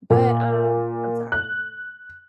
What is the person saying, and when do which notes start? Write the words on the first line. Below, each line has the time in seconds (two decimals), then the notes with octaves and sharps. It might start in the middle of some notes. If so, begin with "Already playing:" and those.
but, um I'm sorry.
0.10 A#2
1.32 F#6